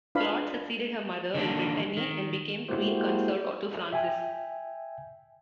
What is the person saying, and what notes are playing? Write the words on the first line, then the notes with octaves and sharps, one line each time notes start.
Claude succeeded her mother in Brittany and became queen consort to Francis.
D4 F4 B4 F5 B5
D3 D#3 A#3 D4
D#3
G#3 A#3 E4 F#4 G4 C5
E5 G5 G#5